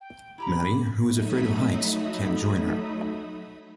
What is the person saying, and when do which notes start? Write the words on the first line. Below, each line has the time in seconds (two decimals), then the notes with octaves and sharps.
Maddie, who is afraid of heights, can't join her.
0.01 G5
0.38 E4 G4 A#5 B5
1.09 F#3 A3 D#4 E5 B5 D#6